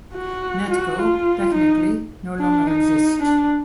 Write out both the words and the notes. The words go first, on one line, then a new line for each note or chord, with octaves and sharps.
Netco, technically, no longer exists.
F#4
F#4
F4
D#4
D4
D#4
D4